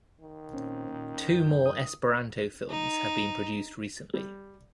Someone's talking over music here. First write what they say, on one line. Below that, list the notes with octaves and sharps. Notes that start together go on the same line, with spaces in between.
Two more Esperanto films have been produced recently.
D#3
A#2 C4 C#4
A#2
F#2 G6
D#6
D#4
G3